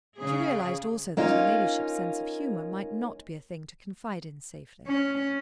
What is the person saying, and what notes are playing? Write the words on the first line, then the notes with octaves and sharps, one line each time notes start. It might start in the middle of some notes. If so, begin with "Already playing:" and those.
She realised also that her ladyship's sense of humour might not be a thing to confide in safely.
C#3 G#4
A#3 C#4 D#4 F4
C#4